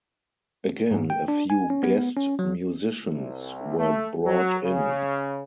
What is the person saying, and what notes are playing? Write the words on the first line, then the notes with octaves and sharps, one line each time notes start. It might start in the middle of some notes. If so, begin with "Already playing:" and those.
Again, a few guest musicians were brought in.
G#2
G5
D4
G#5
C#4
B3
C#4
F#3
C2
A3
F#3
C#3